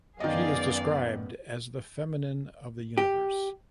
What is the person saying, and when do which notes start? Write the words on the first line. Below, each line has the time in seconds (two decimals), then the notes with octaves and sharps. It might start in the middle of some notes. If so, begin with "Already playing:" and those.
She is described as "the feminine of the universe".
0.20 F#2 D#3 B3 G#4 D5 D#5 F5
2.98 G4